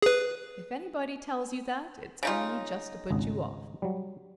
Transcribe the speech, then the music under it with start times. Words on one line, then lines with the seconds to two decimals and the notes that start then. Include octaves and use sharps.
If anybody tells you that it's only just to put you off.
0.02 G#4 B4
2.23 C#3 D#4 F4
3.11 G#1 C#2 D#5
3.82 F#3 G3